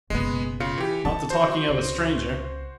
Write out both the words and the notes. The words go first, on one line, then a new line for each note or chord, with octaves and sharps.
Not the talking-over stranger.
F#1 B2 G#3 B3
C#3 F4 C#7
E3 G4
D#3 C4 A5
F#4 C5
C#2